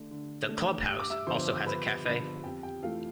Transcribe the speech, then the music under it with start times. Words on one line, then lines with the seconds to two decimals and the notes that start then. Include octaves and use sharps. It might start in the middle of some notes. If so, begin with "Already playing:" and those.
The Clubhouse also has a cafe.
Already playing: D3 A3 D4
0.11 D3
0.49 A3 D4
0.88 G2 E6
0.99 D6
1.10 E5 E6
1.27 D3 F3 B3 C5 C6
1.66 G2 B4 B5
2.05 D3 F3 B3 B4 B5
2.44 F2 G4 G5
2.63 G4 G5
2.83 E3 A3 F4 F5